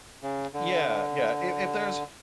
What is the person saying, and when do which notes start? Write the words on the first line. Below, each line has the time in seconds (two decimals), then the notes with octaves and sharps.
Yeah, yeah. If if there's
0.23 C#3
0.54 D3